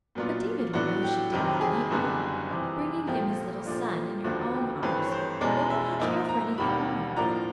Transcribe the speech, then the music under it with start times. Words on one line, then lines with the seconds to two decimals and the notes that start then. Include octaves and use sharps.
But David would know she did not need one; bringing him his little son in her own arms, what would he care for anything more?
0.15 A#2 F#3 B3 D4 F4
0.73 A2 F#3 B3 D4 F#4
1.02 G4
1.32 F1 F2 C3 D#3 F#3 G4
1.61 G#4
1.90 F#1 F#2 D3 G3 B3
2.49 F2 C3 E3
3.07 A#1 A#2 F3 A3 G4
3.66 A#2 F3 A3 D4 F4
4.24 F1 D#2 D3 F3 A3 F#4
4.53 G4
4.82 G#1 G2 E3 A3 C4 B4
5.03 C#5
5.12 C5
5.41 F1 E2 B2 G#3 C#4 D5
5.70 E5
6.00 G#2 F3 A#3 D#4 E5
6.29 A#5
6.58 E1 D#2 D#3 G3 B5
7.16 A2 F3 A#3 D4 F4 A#5